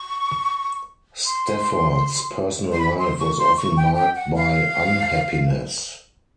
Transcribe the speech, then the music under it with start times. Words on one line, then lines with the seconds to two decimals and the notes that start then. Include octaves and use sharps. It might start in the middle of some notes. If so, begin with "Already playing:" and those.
Stafford's personal life was often marked by unhappiness.
Already playing: C#6
1.24 C6
2.71 C6
2.78 B5
2.97 C6
3.17 C#6
3.37 C6
3.56 C#6
3.75 G5
3.95 G5
4.14 F#5
4.33 F5